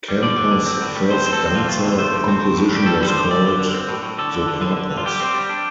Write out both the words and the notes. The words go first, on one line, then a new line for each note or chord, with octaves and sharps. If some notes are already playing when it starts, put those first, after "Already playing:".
Campos' first danza composition was called "Sopapos".
G3
D3 D5
D3
D3
C4
A2
G3
A2 C5
C4 C5
A4
C4
D3 F4
A3 F4
D3
A3 C5
D3
C4
A2
A2
G3 G4
G3 A4
D3 A4
C5
D3
G2 D5
D3
D3
C4
A2
A2
D3 A4
D3
D3
D3
D3
D3
F4
G3 G4
C4
G3
D4